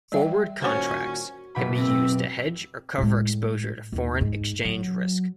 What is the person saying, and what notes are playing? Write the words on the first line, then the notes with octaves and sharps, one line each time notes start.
Forward contracts can be used to hedge or cover exposure to foreign exchange risk.
G3 E5 G5
A#2 D#3 C#4 F#4 C5 C#5
F#1 B2 B5
C4
A2 G#3
D#2 A2
G#2
F#3